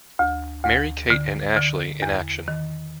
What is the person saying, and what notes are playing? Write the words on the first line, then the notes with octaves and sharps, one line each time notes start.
Mary-Kate and Ashley in Action!
D2
D2
D3
D3
E2
D#3